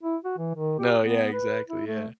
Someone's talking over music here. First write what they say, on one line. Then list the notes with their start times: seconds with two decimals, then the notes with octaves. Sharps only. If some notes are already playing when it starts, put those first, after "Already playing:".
No, yeah, exactly, yeah.
0.03 E4
0.25 F#4
0.38 E3
0.55 D#3
0.79 G4
1.00 B3
1.33 B4
1.68 E4
1.87 A3